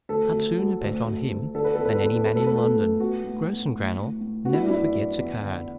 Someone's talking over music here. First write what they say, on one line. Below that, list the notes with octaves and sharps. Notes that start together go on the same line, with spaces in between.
I'd sooner bet on him than any man in London. Grossengrannel never forgets a card.
D2 A4
D2
F#3
D2
D2
D2
D3 A4
B4
E2 A4
B4
A4
E2 B4
A4
A2 B4
A4
B4
A2 A4
A3
B3 F#4
A2
B3
A2
A2
A2
B3 F#4
E4
D4
F#2 E4
F#3
E2
D3